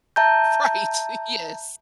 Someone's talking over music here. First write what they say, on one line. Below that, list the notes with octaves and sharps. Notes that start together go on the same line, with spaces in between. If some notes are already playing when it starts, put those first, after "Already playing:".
Right, yes.
E5 A5 A#5 G6